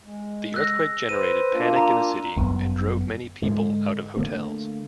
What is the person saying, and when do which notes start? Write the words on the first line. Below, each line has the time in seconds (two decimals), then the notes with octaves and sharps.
The earthquake generated panic in the city and drove many people out of hotels.
0.04 G#3
0.54 E6 F#6 A#6
1.09 B4 C5 D#7
1.53 A#3 D4 F4
1.76 A#5
2.36 G1 F#2 B3
3.42 G#2 D3 G#3
4.16 D3 A3 A#3